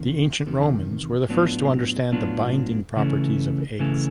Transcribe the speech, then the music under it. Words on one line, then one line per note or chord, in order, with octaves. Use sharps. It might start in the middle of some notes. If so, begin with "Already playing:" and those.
The Ancient Romans were the first to understand the binding properties of eggs.
Already playing: E2 C3 D#3
E2 C3 D#3
A2 F#3 B3 D4 F4
A2 F#3 B3 D4 F4
C#3 E3 A3 C#4
C#3 E3 A3 C#4